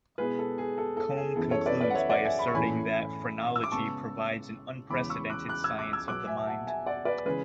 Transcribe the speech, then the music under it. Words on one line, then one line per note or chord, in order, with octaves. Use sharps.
Combe concludes by asserting that Phrenology provides an unprecedented science of the Mind.
B2 G#3 B3 E4 G#4 B4
A4
G#4
A4
A4
G#4
F#2 E3 B3 E4 A4
A4 C#5
B4 D5
B4 D5
F#5
C#5 E5
D5 F#5
E5 G#5
B5
C#6
A2 E3 A3 C#4 E4 G#5 B5
E6
D6
C#3 G#3 B3 A5 C#6
E2 C#3 E3 G#3 C#4 B5 D6
C#6 E6
D6 F#6
D6 F#6
E6 G#6
D6 F#6
E6 G#6
B2 F#3 B3 D6 F#6
E5 G#5
F#5 A5
E5 G#5
D5 F#5
B4 D5
C#3 E3 G#3 C#4 G#4 B4